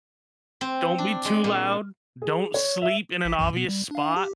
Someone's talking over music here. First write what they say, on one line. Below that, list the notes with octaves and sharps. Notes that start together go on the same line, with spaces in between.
Don't be too loud. Don't sleep in an obvious spot.
C4
D4
G#3
A#2
G#4
C#5
E5
A1 B6
B1 F#2 E3
B2 B3
G3
D4 F5
G4